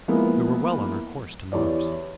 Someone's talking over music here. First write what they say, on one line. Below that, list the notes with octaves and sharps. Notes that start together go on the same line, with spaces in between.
We were well on our course to Mars.
F3 G#3 A#3 B3 E4
E2 G4 C#5 D5